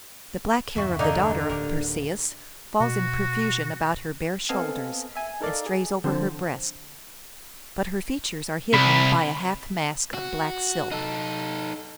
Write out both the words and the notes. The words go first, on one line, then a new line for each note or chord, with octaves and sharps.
The black hair of the daughter of Perseis falls in profusion about her bare shoulders, and strays over her breast, but her features are hidden by a half-mask of black silk.
E2 G2 C3 F#4 E5
D3 A#3 D4 D#4 D#5 A#5
D1 G4 A#4
B2 F#4
B3 C4 A4 D#5 F5 G#5
E5 G#5
D#4 A4 A#4 D5 F5
G#4
D3 F3 C4 C5
C2 B5
F#4
D#4 A4